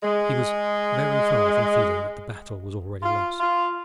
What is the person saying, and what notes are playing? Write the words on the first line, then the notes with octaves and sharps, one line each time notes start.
He was very far from feeling that the battle was already lost.
G#3
F4
F4